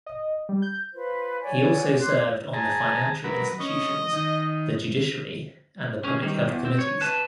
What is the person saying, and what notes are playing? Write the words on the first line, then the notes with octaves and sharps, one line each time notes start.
He also served on the Financial Institutions, the Judiciary and the Public Health Committees.
D#5
G3
G6
F4 B4 C5
C#5 D5 F#5 G#5
C6 D6 F#6
G#4 A5 A#5
F#3 A#4 B4
C#4 D#5
D#3
C#4 G#4
D#3 G3
E2
C4
C#5
B4 A5